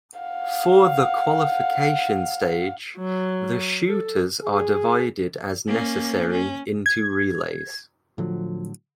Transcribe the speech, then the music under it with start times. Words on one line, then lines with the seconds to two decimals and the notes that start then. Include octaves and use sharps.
For the qualification stage, the shooters are divided as necessary into relays.
0.20 F5 F#5
2.98 F#3
3.87 A4
4.43 G#4
5.67 A#3 C#4
6.32 C#4
6.86 G#6
8.18 A2 D3 F3 F#3